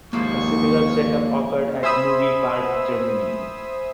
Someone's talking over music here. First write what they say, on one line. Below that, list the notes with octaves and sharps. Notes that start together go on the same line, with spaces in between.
A similar set-up occurred at Movie Park Germany.
D#2 G#2 F3 A#3 E4 C#6
C5 E5 G#5 B5 D#6 E6